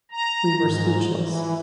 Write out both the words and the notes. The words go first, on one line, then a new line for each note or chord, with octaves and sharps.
We were speechless.
A#5
G#2
E3